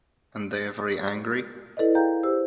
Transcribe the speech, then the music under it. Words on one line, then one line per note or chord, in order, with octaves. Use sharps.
And they are very angry?
E4 A4 B4 D5 D#5
G#4 F5 G5 A#5 G6
G4 C5 E6